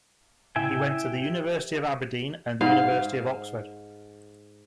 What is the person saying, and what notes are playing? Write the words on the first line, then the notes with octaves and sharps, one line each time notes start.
He went to the University of Aberdeen and the University of Oxford.
A2 C#3 E4 E5 G5 G#5
G4
G#2 F5